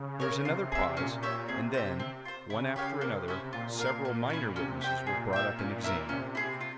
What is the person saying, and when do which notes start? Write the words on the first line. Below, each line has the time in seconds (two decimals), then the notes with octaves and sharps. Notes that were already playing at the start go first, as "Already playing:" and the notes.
There was another pause and then, one after another, several minor witnesses were brought up and examined.
Already playing: C#3
0.20 A#4 C#5
0.45 C3 F4
0.72 G#4 E5
0.96 A#2 C#4
1.23 G4 C#5 E5
1.48 C3 G#4
1.74 C5 E5
2.00 C4
2.25 F4 C5
2.50 C#3 E4
2.76 G4 C#5 F5
3.01 C3 A#3
3.28 C#4 E4
3.53 A#2 F4
3.79 A#4 F5
4.05 A#3
4.30 C#4 E4
4.56 C3 C#4
4.81 G4 C5 G5
5.06 A#2 G#4
5.33 E5 G5
5.59 A#2 C#4
5.84 E4 A#4 E5
6.09 C3 C#4
6.35 E4 G#4
6.61 F4